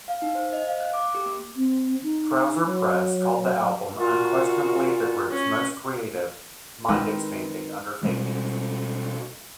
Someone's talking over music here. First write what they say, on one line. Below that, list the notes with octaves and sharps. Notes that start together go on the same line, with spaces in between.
"Trouser Press" called the album "unquestionably the group's most creative, mind-expanding undertaking".
F5
D#4
C5
D#5
F5
F#6
D6
G4
A#3
C4
D#4
F#3
A#2 F4 F#4
C#4
D#3 G#3 C4 B4
B2 G3 G#3